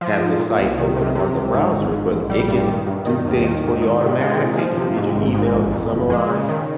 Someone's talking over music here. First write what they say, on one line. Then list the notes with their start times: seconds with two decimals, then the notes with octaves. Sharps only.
have the site open on the browser, but it can do things for you automatically. It can read your emails and summarize.
0.01 F3
0.20 G#2
0.39 A#2
0.59 C2
0.77 D#3
0.96 C3
1.15 C3
1.35 C#2
1.54 G#2
1.73 G#1
1.92 G#2
2.10 A#1
2.30 G3
2.48 G2
2.68 D#3
2.86 G2
3.05 D#3
3.25 D#2
3.44 D#3
3.64 G#2
3.82 D#3
4.01 C3
4.20 G#3
4.39 A#2
4.58 F3
4.77 C3
4.96 G#2
5.15 G#1
5.34 G#2
5.53 A#1
5.72 F2
5.92 G1
6.10 G#3
6.29 C#3
6.49 D#3